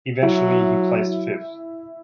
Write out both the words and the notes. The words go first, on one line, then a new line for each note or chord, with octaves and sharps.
Eventually, he placed fifth.
F#3 E4